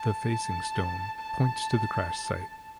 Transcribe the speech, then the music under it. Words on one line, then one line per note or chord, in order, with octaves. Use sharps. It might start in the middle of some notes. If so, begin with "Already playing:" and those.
The facing stone points to the crash site.
Already playing: A5
A5
A5